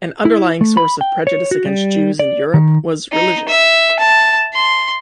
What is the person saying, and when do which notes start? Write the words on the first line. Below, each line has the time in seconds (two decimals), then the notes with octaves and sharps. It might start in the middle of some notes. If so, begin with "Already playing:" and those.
An underlying source of prejudice against Jews in Europe was religious.
0.25 E4
0.61 A3
0.77 B5
1.01 G5
1.27 C#5
1.51 F#4
1.66 G3
2.19 D5
2.54 D#3
3.12 D#4
3.49 E5
4.00 A5
4.54 C6